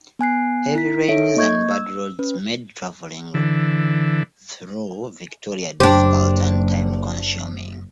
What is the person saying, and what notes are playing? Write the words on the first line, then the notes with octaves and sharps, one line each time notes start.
Heavy rains and bad roads made travelling through Victoria difficult and time-consuming.
B3 G#5 F#6 C7
E4 B6
D#4 A4 C#5 E5 D7
A#3 D#5 C#6 G6 G#6
E6
C#4 B4
D3 E3
F#1 F#2 D4 G4 C5